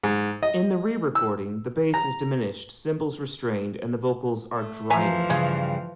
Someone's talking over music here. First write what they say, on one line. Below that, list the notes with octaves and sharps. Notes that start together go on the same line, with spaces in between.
In the re-recording the bass is diminished, cymbals restrained, and the vocals are "drier".
G#2
D#5
E6
A#5
A3
E3 F3 E5 G#5 A#5
G2 C#3 G#4